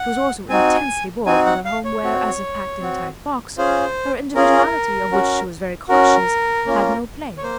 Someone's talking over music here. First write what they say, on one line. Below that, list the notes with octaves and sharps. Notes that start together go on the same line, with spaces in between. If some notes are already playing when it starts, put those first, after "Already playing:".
She was also intensely bored with her home where, as if packed in a tight box, her individuality--of which she was very conscious--had no play.
Already playing: F#5
C4 D#4 F#4 G#5
C4 D#4 F#4 G#5
F#5
F5
C#5
C4 F#4
C4 F#4
C#4 F4 G#4 C5
C#4 F4 G#4 A#4
C#4 F#4
C#4 F#4 A#4
A#3 C#4 F4
C#5
A#3 C5